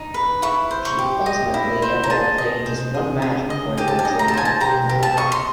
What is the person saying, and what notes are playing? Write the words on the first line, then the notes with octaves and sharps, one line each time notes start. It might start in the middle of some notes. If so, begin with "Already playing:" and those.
She ultimately ended up playing just one match before withdrawing.
Already playing: D#4
B4
E4 C#6
C5
C#6
G4
D#5
E4
C5
A#5
G#4 A5
D#5
C5
G#4
G#4
D#5
G4 G#5
A5
G#5
D#5
A#5
A5
C5 G#5
A5
G4 A#5
G4
A5
D#5 C#6
C6